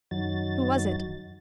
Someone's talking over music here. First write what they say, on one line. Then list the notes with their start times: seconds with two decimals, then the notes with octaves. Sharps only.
"Who was it?"
0.11 F#2 D#3 F#3 A6